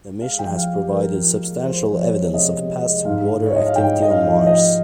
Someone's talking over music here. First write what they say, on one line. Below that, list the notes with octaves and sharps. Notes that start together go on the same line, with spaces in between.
The mission has provided substantial evidence of past water activity on Mars.
G#3 F5
G5
F3
F5
G#3
G4
F3 A#4
F3
G#3
F3 C5
F3
C#5
G#3
C3 D#5
C3
G#3
G#2 F5
G#3
C#5
G#3 D#5
F5
G#2 G5
G#2 D#5
F5
F3
F3 D#5